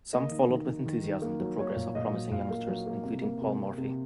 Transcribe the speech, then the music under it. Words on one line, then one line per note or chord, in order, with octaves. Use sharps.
Some followed with enthusiasm the progress of promising youngsters, including Paul Morphy.
A#3 D#5
D#3
D#3
D#3
D#3
D#3
A#3
F#3
A#3 C#5
A#2
A#2 D#5
F#3
A#2 F5
A#3
F#3
A#3
C3
A#3
C3
C3
C3